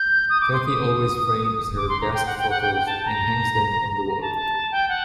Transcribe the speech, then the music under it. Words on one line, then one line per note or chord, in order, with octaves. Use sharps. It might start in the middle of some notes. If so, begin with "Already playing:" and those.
Katie always frames her best photos, and hangs them on the wall.
Already playing: G6
D#6
D6
C6
D#6
D6
C6
A#5
G5
F#5
G5
F#5
G5
G5
A5
A#5
A#5
A#5
A5
A5
G5
F#5